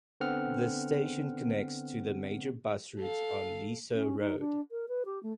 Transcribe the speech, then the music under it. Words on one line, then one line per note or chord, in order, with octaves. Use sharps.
The station connects to the major bus routes on Leasowe Road.
D3 B3 C4 F#5 F6
A4 F5
C#4
D#4
D4
A#4
B4
G4
A3